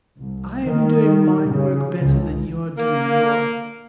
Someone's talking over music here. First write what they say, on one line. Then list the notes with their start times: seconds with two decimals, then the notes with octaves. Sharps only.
"I am doing my work better than you're doing yours."
0.18 C2
0.63 D#3
1.48 C#3
2.04 C#2
2.78 A#3